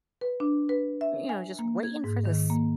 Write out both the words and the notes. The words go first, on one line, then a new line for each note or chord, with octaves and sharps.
you know, just waiting for this
B4
D4
B4
E5
G#5
A#3
G#6
G#2
D#3
A#3